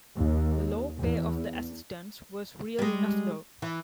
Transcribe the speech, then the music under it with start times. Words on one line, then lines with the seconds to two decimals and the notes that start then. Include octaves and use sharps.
The low pay of the assistants was real enough, though.
0.16 D#2
0.98 E2
2.79 G3 G#3
3.62 E3